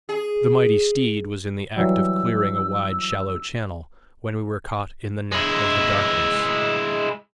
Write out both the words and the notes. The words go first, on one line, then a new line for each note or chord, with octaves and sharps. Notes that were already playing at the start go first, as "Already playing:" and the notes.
The mighty steed was in the act of clearing a wide shallow channel when we were caught in the net of the darkness.
G#4
E3 F#3 G3 E6
G#3 E4